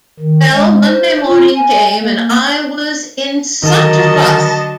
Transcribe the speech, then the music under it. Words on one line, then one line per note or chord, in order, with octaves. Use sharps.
Well, Monday morning came, and I was in such a fuss!
D#3
G#3
C5
F4
G#5
A#3
D3 D#3 F#3 A#4 D#5 A5